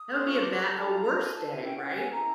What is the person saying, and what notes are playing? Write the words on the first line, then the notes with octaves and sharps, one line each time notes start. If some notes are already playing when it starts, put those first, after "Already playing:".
that would be a bad a worst day, right?
Already playing: D#6
A4 C6
F4 C#6
D4 D6
D4 A#5
A4
F4
D4
D4
G#5
A4 A5
E4 G#5
C#4 G5
F#5
C#4
F#5
A4 G#5
E4 A#5